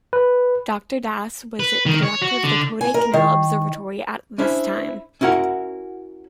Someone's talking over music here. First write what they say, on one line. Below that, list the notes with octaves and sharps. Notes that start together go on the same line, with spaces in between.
Doctor Das was the director of the Kodaikanal observatory at this time.
B4
B4
D#3
C#5
F#4
D3
G#5
A#4
D#3
C#4 D4 E4 C5
C#4 E4 F#4 A#4 F#5